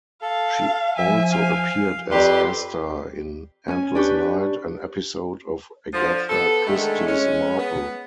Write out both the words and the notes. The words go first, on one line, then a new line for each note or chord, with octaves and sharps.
She also appeared as Esther in "Endless Night", an episode of "Agatha Christie's Marple".
A4 F5
F3 E5 G#5
F5
F2 G4 B4 D5 C6
C#4 G#5
D4 G4 B4 C#6
D3 F3
B3 A4
D3 D#3 G#3 A3
C#4
B3